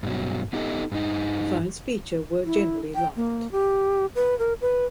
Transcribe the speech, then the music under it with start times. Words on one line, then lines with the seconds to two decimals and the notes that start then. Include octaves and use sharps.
The phones features were generally liked.
0.03 G2 B2 F#3
0.53 B3 D4 D#4 G4 A4 D#5
0.92 G2 D#4
2.45 E4
2.95 G5
3.16 A#3
3.52 G4
4.15 B4
4.39 A#4
4.61 B4